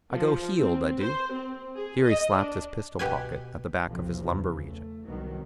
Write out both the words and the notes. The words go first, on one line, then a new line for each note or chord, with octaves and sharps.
I go heeled, I du!' Here he slapped his pistol pocket at the back of his lumbar region.
F3
C4
C5
C4
G#4
D#5
D4
B2 G4 B4 G#5
B1 F2 C3 F3
E2 C#3
A3
C2 D#3 F#3 B3